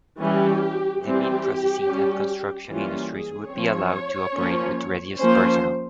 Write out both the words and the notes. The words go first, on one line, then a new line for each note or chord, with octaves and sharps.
The meat processing and construction industries would be allowed to operate with reduced personnel.
E3 G3 C#4 G4
E3 G3 C4 G4
G3 C#4
E3 G3 A#3 C#4 F4
G#4
F3 C4 C#5
F3 A#3 C#4
F3 A#3 C#4 C5